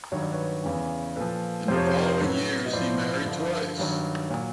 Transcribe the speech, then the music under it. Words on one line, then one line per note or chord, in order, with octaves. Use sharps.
In the following years he married twice.
G2 D#3 F#3 C#5
D5
B4 C#5
E2 C#3 E3
A#2 F3 A4 B4
F2 C3 F3 C5
C#5
C5
C#5
A#4 C5
A2 F#3 B4 C#5
D#5
A2 F3 C5 D5
G2 D3 F3
G2 D#3 F#3
A#2 F#3